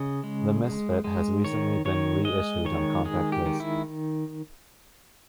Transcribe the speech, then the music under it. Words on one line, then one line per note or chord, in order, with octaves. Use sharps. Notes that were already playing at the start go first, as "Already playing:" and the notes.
"The Misfit" has recently been re-issued on compact disc.
Already playing: C#3 D#5
G#3
G#3
G#3
D#3 C#5
D#3 C#5
G#3 D#5
D#3 C#5
G#3 G#4
G4
D#3
E4